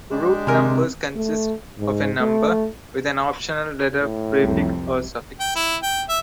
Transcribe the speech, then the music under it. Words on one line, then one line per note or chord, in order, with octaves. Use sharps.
Route numbers consist of a number, with an optional letter prefix or suffix.
G#3 D4 G4
C3 C4 A#4 G#5
A3
G#2
A3
A2
C2 F2
G5
E4
G5
E5